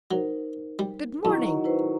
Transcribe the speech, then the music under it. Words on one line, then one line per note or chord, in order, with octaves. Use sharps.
'Good morning!
F#3 D#4 A#4 C5
G3
F#2 D#3 F#3 E4
E4 B4 C5